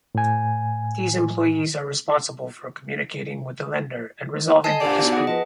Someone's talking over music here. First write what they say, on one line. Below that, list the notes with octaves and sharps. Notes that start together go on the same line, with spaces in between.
These employees are responsible for communicating with the lender and resolving the dispute.
A2 G#5
D#5 G#5 A5 C7
A2 C3 D4 G4 D5 F#5
B3 D#4 F#4
G#4 F#5
F3 B4 D#5 A5